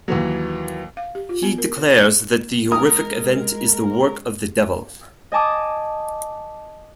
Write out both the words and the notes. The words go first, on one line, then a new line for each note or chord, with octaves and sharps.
He declares that the horrific event is the work of the devil.
D#2 E3 F#3
F5
G4
F4
B3
A#4
C#5
G#3 A#4 D#6
D#5 G#5 A5 D6 D#6